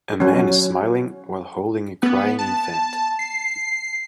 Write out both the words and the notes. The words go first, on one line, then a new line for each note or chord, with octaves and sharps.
A man is smiling while holding a crying infant.
F#3 C#4
B3
A5
C7